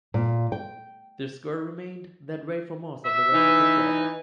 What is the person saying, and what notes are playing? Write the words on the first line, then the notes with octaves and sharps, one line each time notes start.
The score remained that way for most of the rest of the quarter.
A#2
G5
E5
E3 D#4